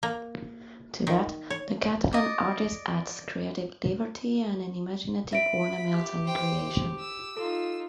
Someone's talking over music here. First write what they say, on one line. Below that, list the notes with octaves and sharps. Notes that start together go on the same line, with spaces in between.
To that, the Catalan artist adds creative liberty and an imaginative, ornamental creation.
A#3
D#3
C#5
D5 D#5
E5 B5 D7
G4
C5 G5
E6
D#4 F4 A4